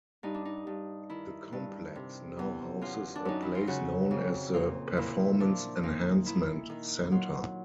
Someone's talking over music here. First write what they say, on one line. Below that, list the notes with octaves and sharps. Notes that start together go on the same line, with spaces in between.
The complex now houses a place known as the Performance Enhancement Center.
G2 D#4
D4
D#4
G2
D#3 E4
G2
C3
E2
F#2 F4
D4
F#2 D#4
E4
F4
C#3 F#4
F2
A#2 F4
A#2 E4
F3 D4
A#2 D#4
D#3 E4
D#3
F#3 F4